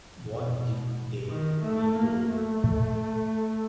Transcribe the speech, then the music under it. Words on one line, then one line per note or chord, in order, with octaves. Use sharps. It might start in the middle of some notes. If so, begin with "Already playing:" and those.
What did they mean to do?
B2
D#3
A3
A#3
A3